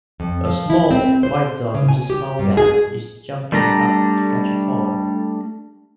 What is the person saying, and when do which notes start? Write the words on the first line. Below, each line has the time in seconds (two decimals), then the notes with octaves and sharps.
A small, white dog with his tongue out is jumping up to catch a toy.
0.20 F2
0.45 F3
0.70 E4
0.91 C4
1.23 C5
1.74 C#3
1.89 G#5
2.10 G4
2.39 G2
2.57 G#4
3.52 G3 A3 D4 A4 A#5